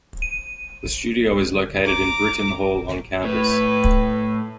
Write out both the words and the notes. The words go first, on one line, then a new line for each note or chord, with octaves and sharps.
The studio is located in Brittain Hall on campus.
D#7
A#5 D6
A2 B4